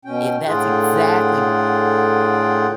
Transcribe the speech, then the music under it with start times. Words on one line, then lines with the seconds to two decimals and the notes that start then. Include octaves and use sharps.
I that's exactly w
0.05 B2 C#4 G5
0.47 A2 D3 F4 G#4 F#5 G5